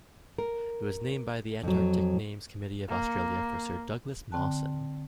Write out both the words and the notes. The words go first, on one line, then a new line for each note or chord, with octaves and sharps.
It was named by the Antarctic Names Committee of Australia for Sir Douglas Mawson.
A#4
F2 F#3
A#3
D3 C4 G5 A5 F#6